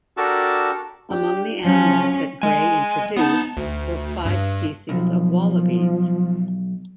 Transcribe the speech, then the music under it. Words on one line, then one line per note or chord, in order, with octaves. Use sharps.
Among the animals that Grey introduced were five species of wallabies.
D4 F#4 G4 A4 A#4 A5
D4 G4
F3 F#3 C#4
G#3 G#5
B3 D#4 A5
D2
G2
B1 F3